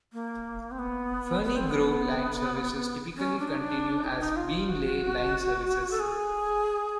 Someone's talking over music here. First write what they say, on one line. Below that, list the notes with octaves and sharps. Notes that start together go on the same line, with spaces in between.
Ferny Grove line services typically continue as Beenleigh line services.
A#3
C4
B3
B3
C4
B3
B3
C#4
D4
D#4
D4
D#4
D4
D#4
F4
F#4
A4
G#4